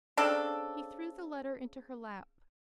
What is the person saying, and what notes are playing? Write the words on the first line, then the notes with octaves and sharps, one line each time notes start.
He threw the letter into her lap.
C#3 C4 D4 A4